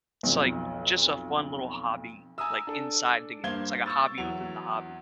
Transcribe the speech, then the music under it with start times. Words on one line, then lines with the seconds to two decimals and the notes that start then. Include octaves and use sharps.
it's like just a fun little hobby, like, inside the game, it's like a hobby within the hobby,
0.23 B1 F2
2.38 G#5 A#5 D#6 E6
2.67 D4 A4
3.43 G2 A#3 C5 F5 G#6 G7
3.86 C#6 E6 A6
4.18 E2 F#3 F7